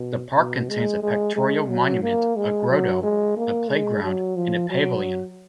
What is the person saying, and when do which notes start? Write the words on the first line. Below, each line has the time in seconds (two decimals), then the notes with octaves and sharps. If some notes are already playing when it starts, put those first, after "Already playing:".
The park contains a pictorial monument a Grotto, a playground and a Pavilion.
Already playing: B2
0.36 B2
0.69 G#3
1.03 G#3
1.36 G#3
1.69 F#3
2.03 A#3
2.36 G#3
2.69 F#3
3.03 G#3
3.37 A#3
3.70 G#3
4.04 F#3
4.36 F3
4.70 F#3